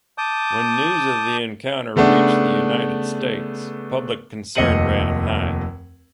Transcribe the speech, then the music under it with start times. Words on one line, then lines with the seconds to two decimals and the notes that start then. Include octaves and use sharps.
When news of the encounter reached the United States, public concern ran high.
0.18 A5 D6 D#6 G6
1.96 C#3 A3 B3 D4
4.55 F1 D#2 D#5 C#7 D#7 F#7